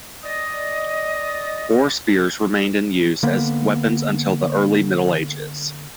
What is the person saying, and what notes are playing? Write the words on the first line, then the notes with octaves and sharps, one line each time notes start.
Boar spears remained in use as weapons until the early Middle Ages.
D5 D#5
D3 A#3 B3